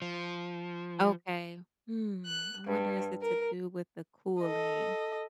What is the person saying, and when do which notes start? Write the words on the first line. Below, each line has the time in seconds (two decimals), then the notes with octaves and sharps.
Okay. Hmm, I wonder is it to do with the cooling.
0.02 F3
2.25 F#6
2.66 G2
3.21 A#4
4.41 A4 D#5